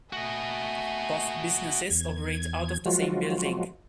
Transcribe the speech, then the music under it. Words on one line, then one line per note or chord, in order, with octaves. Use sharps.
Both businesses operate out of the same building.
A3 F#4 D#5 G#5
E2 G#6
F3 F#3 G#3 F4 F#4